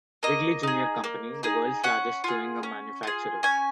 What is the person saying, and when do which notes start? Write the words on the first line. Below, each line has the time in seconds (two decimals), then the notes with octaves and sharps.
Wrigley Junior Company, the world's largest chewing-gum manufacturer.
0.23 A#3 D#5
0.63 D#4 G#4
1.04 A#3
1.43 D#4 G#4
1.83 C#4 F#5
2.24 F4 G#4
2.63 C#4
3.03 F4 G#4
3.43 C#4 G#5